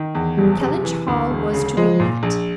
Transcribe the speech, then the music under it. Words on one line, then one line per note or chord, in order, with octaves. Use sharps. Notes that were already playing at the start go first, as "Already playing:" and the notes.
Kellynch Hall was to be let.
Already playing: D#3
E2
F#1 G3
C3
E3
D2
E1
C#3
F3 G#3
A#2
A#1